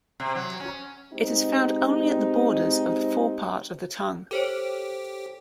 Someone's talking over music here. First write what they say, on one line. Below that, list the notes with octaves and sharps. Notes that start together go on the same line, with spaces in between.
It is found only at the borders of the forepart of the tongue.
C3
F#3
C#4
G#3 C4 D#4 G4
G4 A4 C5 C#5